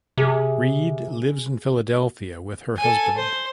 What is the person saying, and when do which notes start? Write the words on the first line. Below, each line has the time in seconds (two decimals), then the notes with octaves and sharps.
Reid lives in Philadelphia with her husband.
0.18 C3 G#4
2.78 A4 G#5
3.17 C5